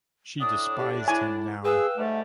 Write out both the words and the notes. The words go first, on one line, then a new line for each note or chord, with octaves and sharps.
She despised him now.
A2 D4 D#6
G4
E4 G#5
G#4 B4 F5 G5 E6
G#2 D3 G3 A3